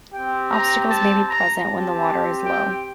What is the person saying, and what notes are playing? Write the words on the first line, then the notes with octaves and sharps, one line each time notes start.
Obstacles may be present when the water is low.
C4 G4 G5
A#5
A5
A#5
C4 G4 A5
G5